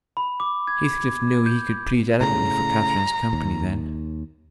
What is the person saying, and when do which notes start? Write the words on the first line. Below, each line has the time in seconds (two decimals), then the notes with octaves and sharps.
Heathcliff knew he could plead eloquently for Catherine's company, then.
0.17 B5
0.40 D6
0.67 G#6
1.46 G6
2.21 A2 C#3 A#5
3.33 D#2